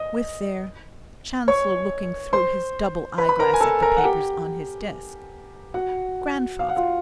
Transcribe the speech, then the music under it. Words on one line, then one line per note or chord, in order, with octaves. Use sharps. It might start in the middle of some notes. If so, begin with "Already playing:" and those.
"With their"--Chancellor looking through his double eye-glass at the papers on his desk--"grandfather."
Already playing: D#5 D#6
C#5 C#6
C5 C6
B4 B5
B5
A#4 A#5
G#5
A4 A5
A#4 A#5
F#5
G4 G5
F#4 F#5
F5
F#5
F4 F5